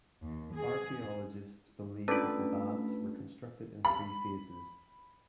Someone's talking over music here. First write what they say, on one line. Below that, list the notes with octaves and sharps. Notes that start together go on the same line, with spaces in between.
Archaeologists believe that the baths were constructed in three phases.
D#2
G#4
A3 C#4 D4 F4 A4 B4 D5
B5